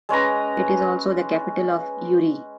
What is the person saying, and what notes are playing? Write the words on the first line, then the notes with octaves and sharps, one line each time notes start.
It is also the capital of Uri.
G#3 C#4 B4 A#5